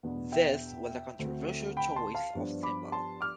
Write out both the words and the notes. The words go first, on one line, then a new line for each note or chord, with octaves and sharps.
This was a controversial choice of symbol.
E2 B2 B3 D4
E5 G5
D2 D3 A3 C4
G5 B5
A5 C6
F5 A5
G2 F3 B3 D4
B5 D6
A5 C6
D6 F6